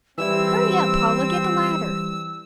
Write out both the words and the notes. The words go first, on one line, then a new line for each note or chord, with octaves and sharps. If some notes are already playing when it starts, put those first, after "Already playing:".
Hurry up, Paula, get the ladder.
E3 G3 C4 E4 E6